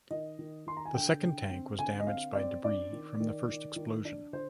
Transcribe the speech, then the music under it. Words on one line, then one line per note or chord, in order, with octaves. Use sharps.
The second tank was damaged by debris from the first explosion.
D#3 D#5
D#3
D#3 C6
A#5
G#5
D3 G5
D3
C4
D3 G#5
D#5
C4 F5
C4 D5
D4 D5
D#3
D#3
D#3
D#3
D4
D3 C5